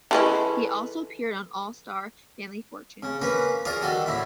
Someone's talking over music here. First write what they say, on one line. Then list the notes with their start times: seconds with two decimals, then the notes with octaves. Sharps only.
He also appeared on "All Star Family Fortunes".
0.11 E3 G#3 C#4 A4 B4
3.03 C#3
3.21 A#3 C#4 B4
3.65 F4 G#4 A#4 C#5 D5
3.81 D#3 G3 F#4 A4
4.06 A2 D3 E4